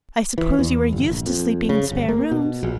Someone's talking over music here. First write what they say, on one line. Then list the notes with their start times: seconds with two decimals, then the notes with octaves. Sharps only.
I suppose you are used to sleeping in spare rooms.
0.38 E3
0.59 E2
0.93 G1
1.10 A#1
1.26 F2
1.69 C#3
1.92 G1
2.09 A#3
2.31 B2
2.63 A#1